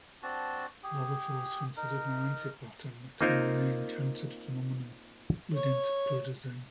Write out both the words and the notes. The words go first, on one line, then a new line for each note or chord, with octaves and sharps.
Lava flow is considered an anti-pattern, a commonly encountered phenomenon leading to poor design.
C4 D4 F#4 A5
G4 G#4
D#4 A#4
A#3 C4 D#4 F4 A#4 C5
C#5